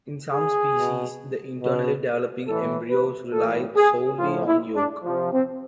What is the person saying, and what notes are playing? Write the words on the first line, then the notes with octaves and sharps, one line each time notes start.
In some species, the internally developing embryos rely solely on yolk.
G#4
B2
B2
A2 E3 A4
B4
A2 E3 A4
G#4
A2 F3 F4
E4
D4
C3 F3
C4